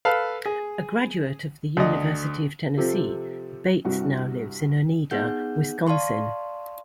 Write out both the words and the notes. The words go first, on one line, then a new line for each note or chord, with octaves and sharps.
A graduate of the University of Tennessee, Bates now lives in Oneida, Wisconsin.
A4 B4 F5
G#4
D2 D#5
C3 F3 C4 F4 G4 A4
C2 G2 C3 F#4
B3 D#4 G#4 F#5 G6
D5 F5 A5 C6 C#6